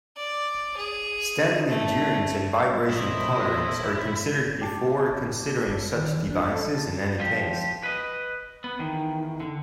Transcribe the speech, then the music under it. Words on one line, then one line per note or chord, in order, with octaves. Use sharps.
Standing endurance and vibration tolerance are considered before considering such devices in any case.
D5
G#4
A3
A#2 F#3 A3 E4 C5 D#5
G4 A5
D#3
E2
D4
A4
F3 G4
B4 D#5
B3
E2 D#3
D3